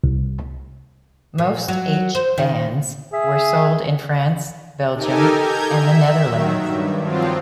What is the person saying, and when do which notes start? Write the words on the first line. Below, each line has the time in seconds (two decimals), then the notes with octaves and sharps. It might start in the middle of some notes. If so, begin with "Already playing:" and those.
Most H Vans were sold in France, Belgium and the Netherlands.
0.04 C2
1.38 A#2
1.68 F#3
2.15 C5
2.38 D#3
3.13 G#4 E5
4.96 D#4 G4 A4 A#4 G#5
5.37 A#5 G6 G#6
5.74 E5
6.21 D#3 F#3
6.59 G2
7.02 F3 F#3 C4 F4